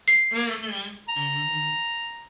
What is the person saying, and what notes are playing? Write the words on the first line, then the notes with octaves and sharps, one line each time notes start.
Mhm, mhm.
C7
A#5